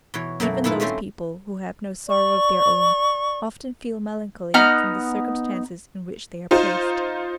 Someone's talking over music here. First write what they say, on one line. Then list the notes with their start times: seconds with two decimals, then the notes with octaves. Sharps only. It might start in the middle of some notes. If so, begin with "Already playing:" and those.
Even those people who have no sorrow of their own often feel melancholy from the circumstances in which they are placed.
0.14 B2 E3 C#5
0.40 F#2 B2 A3 A#3 F#5
0.64 A#2 D#3 E4 F4 A4 B4
0.80 G3 A3 C4 C#4 C5
2.07 D5 C#6
4.54 B3 D#4 A#5 F6
6.51 D#4 F4 C5